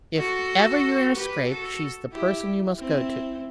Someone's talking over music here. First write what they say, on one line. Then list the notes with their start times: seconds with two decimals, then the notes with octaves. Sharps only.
"If ever you're in a scrape, she's the person you must go to."
0.17 F#4 A4
1.15 G4 B4
1.48 F#4 A4
2.12 E4 G4
2.78 C4 E4